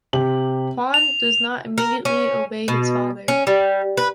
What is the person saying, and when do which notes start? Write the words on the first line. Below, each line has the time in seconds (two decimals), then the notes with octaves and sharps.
Juan does not immediately obey his father.
0.13 C3 G4 F#7
0.94 F7
1.78 A#4
2.05 C#4
2.68 B2
3.28 C#4
3.47 G3
3.97 B4